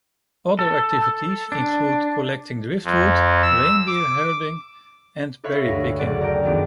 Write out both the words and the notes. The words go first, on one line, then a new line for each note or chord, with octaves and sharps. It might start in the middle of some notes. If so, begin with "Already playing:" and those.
Other activities include collecting driftwood, reindeer herding, and berrypicking.
A4
D4
F2
E6
D6
A4 B4 C#5 E5 F5 B5
D2 G2 A#6
F#1 D2 D5 F#5
A#4 G5 A5 A#5
C#2 F#2 D#3 B3 D5